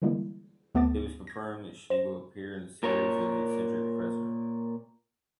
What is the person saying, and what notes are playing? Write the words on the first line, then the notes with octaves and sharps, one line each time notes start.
It was confirmed that she will appear in the series as eccentric professor.
D3 E3 G3 G#3 A#3 E4
D2 A3 B3 A5 D6 A6
G#6 A#6
C5 A#6 E7
A#2 A#4 C#5